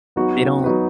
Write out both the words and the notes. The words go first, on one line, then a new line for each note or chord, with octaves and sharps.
they don't,
F#3 B3 D#4 F#4 B4
F#3 B3 D#4 F#4 B4